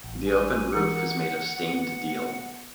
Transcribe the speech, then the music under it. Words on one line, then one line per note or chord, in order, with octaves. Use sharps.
The open roof is made of stained deal.
A1
G#5
E3 A#4 F#5 C#7
B3